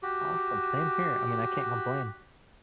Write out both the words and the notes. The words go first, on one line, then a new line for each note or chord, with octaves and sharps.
Awesome. Same here. I mean, I can't complain.
F#4 G4